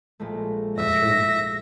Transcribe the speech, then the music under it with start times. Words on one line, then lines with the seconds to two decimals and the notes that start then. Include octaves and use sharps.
That's true.
0.20 A#1 G#3 A3
0.78 E5 A#6